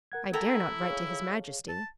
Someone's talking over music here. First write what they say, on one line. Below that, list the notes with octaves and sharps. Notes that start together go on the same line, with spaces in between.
"I dare not write to his majesty."
A#4 F#5 G#6
E4 A4 G5 A#5
G#4 C#5 F5
A5